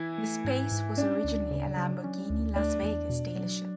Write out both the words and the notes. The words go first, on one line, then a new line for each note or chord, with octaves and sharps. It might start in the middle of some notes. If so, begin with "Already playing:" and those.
The space was originally a Lamborghini Las Vegas dealership.
Already playing: E3 E4
A3
G#2
G#2
C#4 D4
D2
C#3
F#3
C#4
D2
A3 D4
E2
B2
F#3